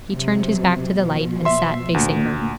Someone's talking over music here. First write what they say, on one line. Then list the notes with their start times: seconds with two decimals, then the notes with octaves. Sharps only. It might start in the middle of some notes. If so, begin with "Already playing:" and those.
He turned his back to the light, and sat facing her.
0.12 C3 F#3
0.97 B2 F3
1.45 E5 C6
1.94 D2 A#2